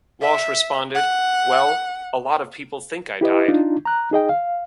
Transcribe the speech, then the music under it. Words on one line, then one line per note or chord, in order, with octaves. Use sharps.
Walsh responded: Well, a lot of people think I died.
E5
F#5
E4 G4 B4 D#5
D4 D#4 F4
A#5 F#6
D#4 G#4 D#5 G5
F5